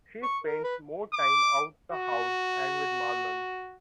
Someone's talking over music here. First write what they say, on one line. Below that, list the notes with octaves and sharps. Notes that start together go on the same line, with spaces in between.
She spends more time out the house and with Marlon.
C#6
A#4
B4
D6
F#4